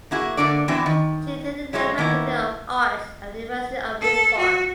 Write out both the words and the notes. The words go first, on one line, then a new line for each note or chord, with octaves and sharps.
She attended the Faculty of Arts at the University of Lisbon.
A#3 E4 F#4 G#4
D3 A#3 D4 A4 D5
E3 B3 C4 D4 E4 F#4
D#3
F#3 G#3 E4 C5 C#5
D#3 A#3 B3 E4
A4
F#4